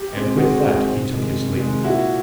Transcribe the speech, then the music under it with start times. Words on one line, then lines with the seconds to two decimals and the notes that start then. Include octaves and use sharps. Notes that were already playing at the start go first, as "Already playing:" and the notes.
And with that he took his leave.
Already playing: G4
0.13 G#3 C4
0.37 D#3 F#4 G#4
0.62 G#3 C4
0.87 C3
1.11 D#3 G#3
1.36 C3
1.60 D#3 G#3
1.84 A#2 E4 F#4